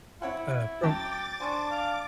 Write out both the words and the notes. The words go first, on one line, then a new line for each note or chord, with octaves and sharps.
uh, from
C4 E4 C#5 F#5
F#3 C#4 G5 A5 D6 A6
D4 C5 G#5 C#6
F5